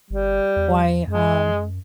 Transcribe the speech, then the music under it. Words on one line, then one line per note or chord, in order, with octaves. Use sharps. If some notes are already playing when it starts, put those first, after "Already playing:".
why um
G1 G3
E2
F#2 G#3